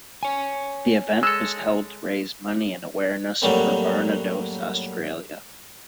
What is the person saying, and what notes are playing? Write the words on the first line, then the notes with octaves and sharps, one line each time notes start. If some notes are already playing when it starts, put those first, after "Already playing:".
The event was held to raise money and awareness for Barnardos Australia.
C#5 G#5
G#3 A4 E6
F#2 A2 F#3 G3 A#3 C4